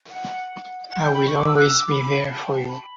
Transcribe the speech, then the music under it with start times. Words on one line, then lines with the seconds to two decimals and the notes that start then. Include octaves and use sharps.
I will always be there for you.
0.10 F#5
0.88 F#5
1.00 G5
1.14 B5
1.27 C#6
1.37 D6
1.46 E6
1.56 F#6
1.66 E6
1.78 D6
1.91 B5
2.04 B5
2.23 A5
2.43 G5
2.55 A5
2.68 B5